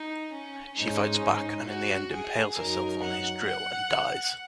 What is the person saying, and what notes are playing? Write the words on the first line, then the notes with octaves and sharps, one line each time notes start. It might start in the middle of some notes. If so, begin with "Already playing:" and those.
She fights back and in the end impales herself on his drill and dies.
Already playing: D#4
C#4
G#2 G#3 C#4 D#4
F#4
G#4
F#2 F#3 D#4 A#4
F#5
F#5